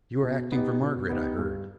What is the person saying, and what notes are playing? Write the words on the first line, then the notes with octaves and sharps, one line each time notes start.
"You are acting for Margaret, I heard."
B2
B3 D#4 G4
B2
B3 D#4 G4
G2